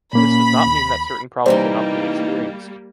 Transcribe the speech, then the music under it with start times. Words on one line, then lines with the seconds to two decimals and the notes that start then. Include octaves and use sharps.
This does not mean that certain problems are not being experienced.
0.13 A#2 A#3 C#4 B5
0.66 D#2
1.46 C3 E3 G3 A#3 D#4 C5 D5